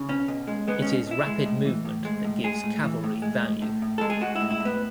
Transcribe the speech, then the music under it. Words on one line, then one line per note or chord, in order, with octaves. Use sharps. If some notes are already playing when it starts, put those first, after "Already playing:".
It is rapid movement that gives cavalry value.
Already playing: C#3
B2 C#4
B2
G#3
G#3 B3
B2 C#4
B2 E4
G#3
A2
E3
A2
G#3
A2
G#3 G#4
A2
E3
A2
G#3
A2
A2
A2
G#3 A4
G#4
G#3 F#4
E4
A2
E4
A2
B3